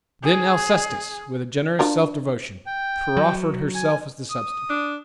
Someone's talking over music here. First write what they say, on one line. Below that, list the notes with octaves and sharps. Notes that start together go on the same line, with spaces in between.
Then Alcestis, with a generous self- devotion, proffered herself as the substitute.
G#4
D4 F4 A#4
G5
F#3
G#5
D#6
D4